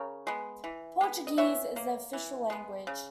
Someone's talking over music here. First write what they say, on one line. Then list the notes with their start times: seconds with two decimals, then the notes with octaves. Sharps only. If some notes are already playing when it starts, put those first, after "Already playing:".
Portuguese is the official language.
Already playing: C#3 A#4 C#5
0.27 G#3 B3
0.64 E3
1.01 G#3 B3
1.27 D#5
1.38 E3 C#5 E5
1.76 A#3
2.13 E3
2.50 G#3 B3
2.87 C#3